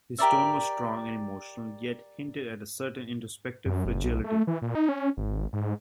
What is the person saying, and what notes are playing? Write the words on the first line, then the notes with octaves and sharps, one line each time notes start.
His tone was strong and emotional, yet hinted at a certain introspective fragility.
G4 A#4 D5 E5
F#2
F#1
B1
A3
E3
A#2
D#4
C#4
G#1
G#2